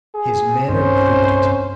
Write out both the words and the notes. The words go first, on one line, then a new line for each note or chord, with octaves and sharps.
His manner proved it.
G#4
G2 C4 C#4 C5